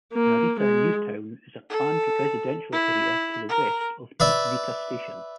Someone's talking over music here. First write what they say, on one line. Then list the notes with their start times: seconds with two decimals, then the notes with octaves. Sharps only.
Narita New Town is a planned residential area to the west of Narita Station.
0.13 A#3
0.59 G#3
1.70 A4
2.72 E4
3.49 A#4
4.20 B4 D5 E5